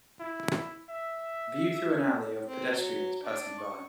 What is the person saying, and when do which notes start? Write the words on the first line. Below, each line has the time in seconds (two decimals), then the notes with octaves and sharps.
View through an alley of pedestrians passing by.
0.20 E4
0.90 E5
2.45 C4
2.72 F#3
3.23 D4
3.58 C#6